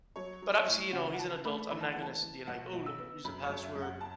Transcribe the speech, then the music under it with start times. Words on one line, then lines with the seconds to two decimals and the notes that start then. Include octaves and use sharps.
but obviously, you know, he's an adult. I'm not gonna s you know like, "Oh, let me change the password"
0.16 F#3 C#5
0.42 F#3
0.55 C#5
0.68 A2
0.93 C#3 F#5
1.13 F#5
1.19 E3 A5
1.45 A3 B5
1.71 E3 B5
1.81 A5
1.92 E3 F#5
2.02 A5
2.22 E3
2.47 B1 F#5
2.73 B1
2.86 E6
2.98 B3
3.25 F#2 B5
3.43 C#5
3.49 F#2
3.63 E5
3.75 F#2
3.82 F#5
4.01 A5